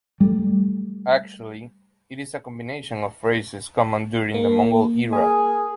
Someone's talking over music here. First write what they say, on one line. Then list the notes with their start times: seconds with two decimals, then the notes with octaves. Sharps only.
Actually, it is a combination of phrases common during the Mongol era.
0.20 G3 A3
4.34 A#3
5.13 G#4 A#4 G#5